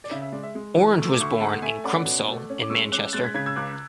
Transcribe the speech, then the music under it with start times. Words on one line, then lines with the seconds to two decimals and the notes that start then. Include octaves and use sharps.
Orange was born in Crumpsall in Manchester.
0.04 D5
0.11 C#3 E5
0.22 E5
0.32 G#3 D5
0.43 E5
0.55 G#3
0.76 E3
0.98 A3
1.03 E6
1.13 D6
1.20 D2 C#6
1.31 B5
1.40 A3 F#5 A5
1.62 A3 E5 G#5
1.84 C#4 D5 F#5
2.05 B2
2.28 A3
2.49 C#4
2.62 D6
2.70 G#3 C#6 E6
2.92 C#4 D6 F#6
3.13 G#3 F#6 A6
3.24 G#6 B6
3.34 C#3 G#6 B6
3.46 E6 G#6
3.56 C#2 D6 F#6